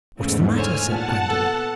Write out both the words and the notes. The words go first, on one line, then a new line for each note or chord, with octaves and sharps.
"What's the matter?" said Gwendolen.
E2 G#2 C#3 A3
D3 C5 C#5 G#5 F6
A#2 F#5 A5
B3 A4